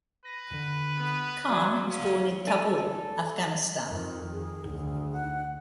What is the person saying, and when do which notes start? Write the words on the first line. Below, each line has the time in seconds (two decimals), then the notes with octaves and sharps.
Khan was born in Kabul, Afghanistan.
0.25 B4 A#6
0.53 D3
0.97 B3
1.49 F#3 C5 D5
1.90 F#3 C#4 F5
2.47 A4 D5 G#5
3.88 F2 D#3
4.32 G#4
4.66 D2 G#4
5.12 F#5